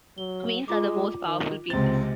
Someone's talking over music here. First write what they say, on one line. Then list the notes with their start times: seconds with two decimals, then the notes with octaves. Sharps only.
Queens are the most powerful pieces.
0.18 F#3 G7
0.68 G#3 F4 D6
1.25 D#3
1.70 C#2 C3 G#3 C4 A6